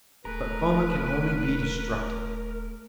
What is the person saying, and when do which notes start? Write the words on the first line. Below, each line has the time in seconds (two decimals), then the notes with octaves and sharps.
But Foma can only be destructive.
0.25 D#1 A3 G#4 A#4 B4 A#5